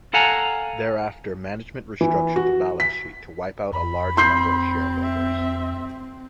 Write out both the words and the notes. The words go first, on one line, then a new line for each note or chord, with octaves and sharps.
Thereafter management restructured the balance sheet to wipe out a large number of shareholders.
A4 F5 F#5 G#5 A#5
E3
F#4
B6
F2 B5
C4 C6 G6 C7
E5